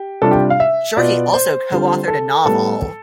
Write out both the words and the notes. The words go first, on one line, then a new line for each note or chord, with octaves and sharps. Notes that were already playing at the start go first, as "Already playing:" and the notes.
Sharkey also co-authored a novel.
Already playing: G4
C3 G3 D4 F4 A4
G4
F5
E5
B2 B3 F4 D5
C5
D3 G3 C4 F4
A4
A2 G3 B3 A4